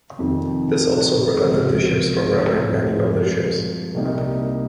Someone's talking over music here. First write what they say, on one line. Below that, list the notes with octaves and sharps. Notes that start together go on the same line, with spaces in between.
This also prevented the ships from ramming any other ships.
F2 C3 D#3
C#2 C3 F3
G2 F3 G#3 C4 F4
C2 C3 G3 A#3 D#4